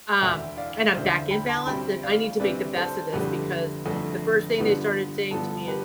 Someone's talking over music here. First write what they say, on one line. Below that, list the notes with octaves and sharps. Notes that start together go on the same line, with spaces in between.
um, and I'm back in balance, then I need to make the best of this because the first thing they started saying to me is,
E1 D2 D3 E5 G5
D5 F5
F5
E1 D2 D3 C5 E5
G5 B5
A5 C6
D2 C3 G3 C4 G5 B5
D5 F5
D2 C3 G3 C4 B4 D5
A4 C5
G1 F2 D3 A3 G4 B4
G1 F2 D3 A3
G2 D3 F3 B3 G4 B4
G2 D3 F3 B3 A4
G4 B4